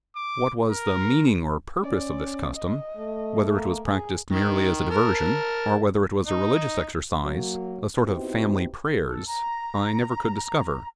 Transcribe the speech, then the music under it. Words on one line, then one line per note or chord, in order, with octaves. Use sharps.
What was the meaning or purpose of this custom, whether it was practiced merely as a diversion, or whether it was a religious exercise, a sort of family prayers, I never could discover.
D6
A#4
C#4 D5
D#5
A3
A#3
G#4
D#3
A#4 A5
D#4
F#3 A#3
B3 C4 D#4 E4 F#4 G4
A4
A#5